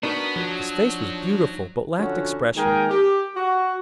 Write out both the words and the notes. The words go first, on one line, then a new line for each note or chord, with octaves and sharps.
His face was beautiful, but lacked expression.
B3 D4 D#4 F#4 A#4
F3 F#3
D3 F3 F#3 C#4 F#4
D#3 G#3 A#3 G#4 A#4 G5
G4
F#4